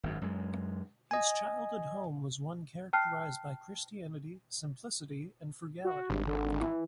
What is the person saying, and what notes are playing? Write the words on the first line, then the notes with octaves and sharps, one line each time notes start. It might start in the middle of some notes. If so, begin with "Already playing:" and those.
His childhood home was one characterized by Christianity, simplicity and frugality.
G#1 F#2
F#2 G#3
D#5 G#5
G5 A5 F6 F#6 C7
F#4
G#1 G2
D3
E3